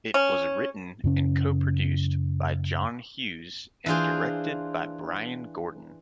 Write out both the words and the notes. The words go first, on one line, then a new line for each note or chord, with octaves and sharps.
It was written and co-produced by John Hughes and directed by Bryan Gordon.
C#4
F#2 C#3 C#4
E3 D4 F4 G#4 C5